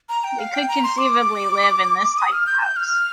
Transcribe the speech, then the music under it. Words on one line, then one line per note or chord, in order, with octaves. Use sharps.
We could conceivably live in this type of house.
A#5
G5
F5
G5
A#5
C6
D6
D#6
F6
G6
G6
F6